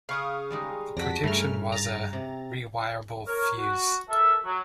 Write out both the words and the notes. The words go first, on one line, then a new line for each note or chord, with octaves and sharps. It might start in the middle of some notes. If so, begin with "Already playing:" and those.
The protection was a re-wirable fuse.
C#3 F5 C#6 D#6
G3 G#3 D#4
F2 D4 F#4 A#6 B6
G2 C#3 A3 C#4 A#4 F6
A#5 A6
C3
A#4 C#5
F#4
A4 A#4 E5
F#3